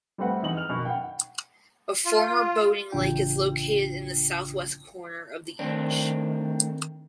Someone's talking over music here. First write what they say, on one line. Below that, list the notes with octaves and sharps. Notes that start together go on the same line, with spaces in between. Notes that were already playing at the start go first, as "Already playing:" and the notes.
A former boating lake is located in the southwest corner of the inch.
G3 A3 C4 B4 F#5
E2 D#4 F#7
F6 F7
F#2 B2 D#3
F#5 G5
F4
A1 C#3 D4 F4 G5
D#3 A3 C4 D4